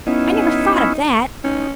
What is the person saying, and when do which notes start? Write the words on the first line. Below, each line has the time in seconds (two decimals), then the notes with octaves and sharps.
I never thought of that.
0.07 B3 C#4 D#4 E4
1.44 C#4 D#4